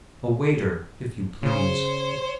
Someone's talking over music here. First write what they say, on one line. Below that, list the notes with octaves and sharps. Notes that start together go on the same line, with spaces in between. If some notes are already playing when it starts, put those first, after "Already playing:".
A waiter, if you please.
C#3 C5 C#5